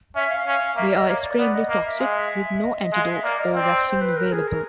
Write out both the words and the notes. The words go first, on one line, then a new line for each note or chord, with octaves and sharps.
They are extremely toxic with no antidote or vaccine available.
C#4 E5
F5
C#4
A#3 E5
D#5
A#3 C#5
D5
B3 D5
D#5
A#3 D#5
E5
G#3 F5
E5
D#5
D#5
G#3 F5
E5
A#3 D5
D#5
C4 D5
C5
B4
A#4
G#4
A#4